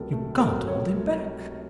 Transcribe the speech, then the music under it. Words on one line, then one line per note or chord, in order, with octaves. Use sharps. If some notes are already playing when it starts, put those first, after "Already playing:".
You can't hold him back.
Already playing: C#2 C3 F#3 A3 A4 A#4
A3 A4
C3 A4
A#4
F#3
C#5
C#2
A3